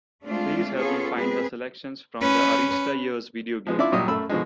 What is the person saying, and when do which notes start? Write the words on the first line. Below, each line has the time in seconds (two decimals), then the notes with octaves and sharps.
Please help me find the Selections from the Arista Years video game.
0.23 G#3 A3 C4 D4 F4
0.77 B3 C#4 F4 G#4 A4 C#5
1.17 G#3 C4 G#4 B4
2.21 C#4 B4
3.67 F3 G#3 B3
3.78 D4 E4 F4 D5 E5 D6
3.92 A#2 F#3 G3 G4 D#5 D#6
4.08 F#2 A3 B5 E6
4.29 B2 D3 F3 G#3